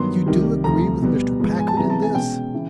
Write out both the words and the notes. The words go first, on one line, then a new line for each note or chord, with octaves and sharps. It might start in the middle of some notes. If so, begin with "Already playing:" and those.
"You do agree with Mr. Packard in this?"
Already playing: G2 D#3 F#3 B3 C6
C2 C3 D#3 G3
D2 C3 F3 A3 A#5
B2 G3 B3
G#2 F3 G#3 B3
G#5
A5
C3 E3 G#3 B3 A#5
A5
G#5
B2 G#3 C#4 G5
C#3 E3